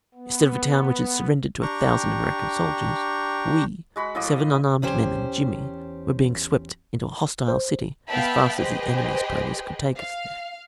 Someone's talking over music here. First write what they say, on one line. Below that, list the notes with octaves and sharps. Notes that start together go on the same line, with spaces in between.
Instead of a town which had surrendered to a thousand American soldiers, we, seven unarmed men and Jimmy, were being swept into a hostile city as fast as the enemy's ponies could take us there.
B3
D4 G4 G5 A#5 C#6
G#3 F#4 B5
A2 F3 D#5 D6
E2 C#4 G4 C5
C5
B3 E5 F5 G5 A5 B5
G4 G#4 B4 C5 D#5 G5
F5